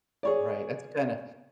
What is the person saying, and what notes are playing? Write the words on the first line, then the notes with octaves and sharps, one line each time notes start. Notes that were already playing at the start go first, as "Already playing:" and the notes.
right, that's kinda
G#4 C#5 D5